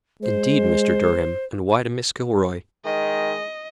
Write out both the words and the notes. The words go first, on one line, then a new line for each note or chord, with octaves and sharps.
"Indeed, Mr. Durham; and why to Mrs. Gilroy?"
G#3 C5
D#3 G#3 D#5